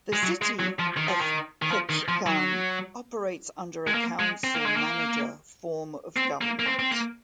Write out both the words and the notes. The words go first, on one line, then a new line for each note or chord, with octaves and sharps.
The City of Ketchikan operates under a council-manager form of government.
G#3
F#3
G#3
F#3
F3
D#3
F3
D#3
D#3
F3
D#3
F3
F#3
G#3
A#3
G#3
C4
A#3
G#3
A#3
C4
A#3
A#3
C4
C4
A#3